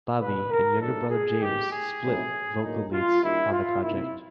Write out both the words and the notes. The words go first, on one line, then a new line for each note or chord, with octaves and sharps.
Bobby and younger brother James split vocal leads on the project.
D3 G3 B3 D#4 B4
A#4
G#2 D#3 F#3 A3 D4 A4
G#4
C3 D#3 G#3 B3 G4
G#4
D#3 F#3 A3 C4 E4
A#2 F#3 A#3 D#4
F4
D#3 G3 A#3 D4 E4
F4
C3 F3 A#3 D#4 E4